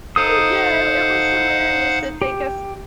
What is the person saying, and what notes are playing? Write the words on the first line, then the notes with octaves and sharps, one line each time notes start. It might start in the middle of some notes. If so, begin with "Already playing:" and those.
Uh, yeah, i it was hilarious to think of
D#4 A4 C5 F5 F#5 D#6
G4